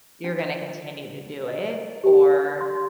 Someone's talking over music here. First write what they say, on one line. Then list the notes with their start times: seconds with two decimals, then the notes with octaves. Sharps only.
you're gonna continue to do it, or
0.24 D4
1.48 D#5
2.04 G4
2.61 C6